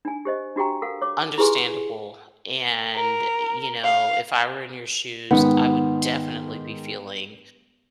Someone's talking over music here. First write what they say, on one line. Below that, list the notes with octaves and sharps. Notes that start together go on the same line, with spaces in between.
understandable, and, you know, if I were in your shoes, I would definitely be feeling
D4 G#5
G4 C5 D#5
D4 F#4 G4 G5 A#5
A4 A#4 F5 F#5
C#5 D6
E4 G4 G#4 B4 G#5 C6
A#4
F5
G#2 D#3 B3